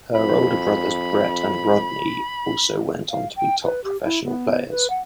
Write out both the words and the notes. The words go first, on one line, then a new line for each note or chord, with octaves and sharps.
Her older brothers Brett and Rodney also went on to be top professional players.
F2 B5
F5
G5
B4
G4
E4
B3
B4
F#5